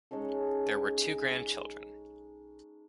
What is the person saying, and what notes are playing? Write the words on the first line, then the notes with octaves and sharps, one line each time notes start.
There were two grandchildren.
G#3 C#4 D#4 A4